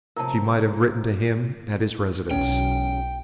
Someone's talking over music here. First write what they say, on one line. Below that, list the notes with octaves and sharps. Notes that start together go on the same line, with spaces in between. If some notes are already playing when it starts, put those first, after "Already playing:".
She might have written to him at his residence.
A2 C3 F3 A#4 A5 A#5
B1 E2 C#4 G5